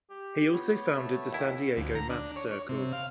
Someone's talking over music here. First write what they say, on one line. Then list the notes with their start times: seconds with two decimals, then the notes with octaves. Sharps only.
He also founded the San Diego Math Circle.
0.10 G4
0.52 B3 C#5
0.91 A3
1.33 D#2 E4
1.77 D2
1.95 A#5
2.10 D4
2.36 C#5
2.51 C#5
2.69 C3
2.93 F5